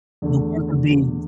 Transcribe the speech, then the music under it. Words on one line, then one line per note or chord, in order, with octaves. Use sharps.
the worker bees.
E2 D3 A3